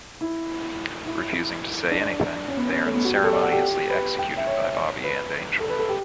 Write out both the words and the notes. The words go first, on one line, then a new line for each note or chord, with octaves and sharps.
Refusing to say anything, they are unceremoniously executed by Bobby and Angel.
E4
E4
D4
C#4
B3
C#4
A3
B3
F#4
G4
A4
D5
F#5
G4
B4
G5
E5
C#5
B4
A4
B4
A4
G4